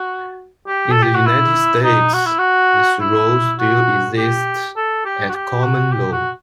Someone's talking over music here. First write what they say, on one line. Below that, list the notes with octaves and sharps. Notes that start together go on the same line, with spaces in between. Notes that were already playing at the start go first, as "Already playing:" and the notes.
In the United States, this rule still exists at common law.
Already playing: F#4
G4
A4
G4
F#4
E4
D#4
F#4
E4
F#4
E4
F#4
G4
A4
G4
F#4
G4
F#4
G4
F#4